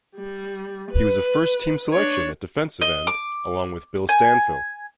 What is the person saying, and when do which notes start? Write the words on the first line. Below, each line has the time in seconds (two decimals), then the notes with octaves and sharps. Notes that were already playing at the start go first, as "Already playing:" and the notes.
He was a First-team selection at defensive end along with Bill Stanfill.
0.16 G3
0.91 B4
1.92 D4 C#5
2.81 D#5
3.07 D6
4.09 G#5